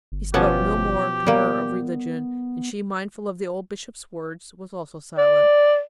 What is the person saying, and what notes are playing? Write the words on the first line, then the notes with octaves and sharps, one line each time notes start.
He spoke no more to her of religion, and she, mindful of the old Bishop's words, was also silent.
G1
B2 F3 B3 C#4 G4 A5
G3 A#3 B3
D5